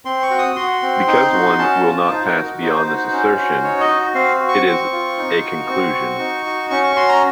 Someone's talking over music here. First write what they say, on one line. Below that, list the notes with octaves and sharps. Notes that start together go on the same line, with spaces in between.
Because one will not pass beyond this assertion, it is a conclusion.
C4 C6
C#6
F#4
D#6
F#4 C6
C4
D#4
F#4
C#4 A5
F4
D#4 C5
A#4
F#4
D#4 C5
F#4
C#4
F#4
D#4 C#5
D#5
F#4
C4 F5
F#4
C#6
C4 C#6
F4
D#4
F#4
C4
F#4
D#4
F#4
C#4 C#6
C#6
F#4 C6
A#5